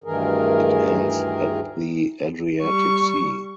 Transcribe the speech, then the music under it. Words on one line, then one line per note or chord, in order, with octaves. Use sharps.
It ends at the Adriatic Sea.
D2 G2 D#3 E3 G#4 A#4
G3 C#6